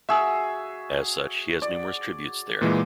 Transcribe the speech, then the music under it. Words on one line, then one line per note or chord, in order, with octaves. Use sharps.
As such, he has numerous tributes there.
F#4 G#4 E5 E6
D5
A#2 E3 G#3